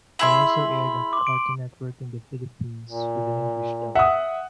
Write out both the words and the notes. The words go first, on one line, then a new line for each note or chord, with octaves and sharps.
It also aired on Cartoon Network in the Philippines with an English dub.
E4 G#4 E5 C6 F#7
C6 D6
D7
A#2
E5 F#5 D#6